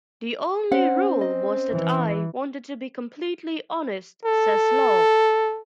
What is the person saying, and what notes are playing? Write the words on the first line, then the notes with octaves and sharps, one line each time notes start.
"The only rule was that I wanted to be completely honest," says Love.
C4 C#4 F#5
D#5
E3
A4